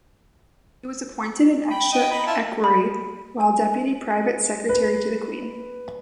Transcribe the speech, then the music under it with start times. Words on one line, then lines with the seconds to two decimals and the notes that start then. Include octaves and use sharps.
He was appointed an Extra Equerry while Deputy Private Secretary to the Queen.
1.70 G5 B5
1.93 D#5 G5
2.11 D#4 B5
2.27 E4 F4 A5
2.64 B5
3.40 G#5
4.69 B4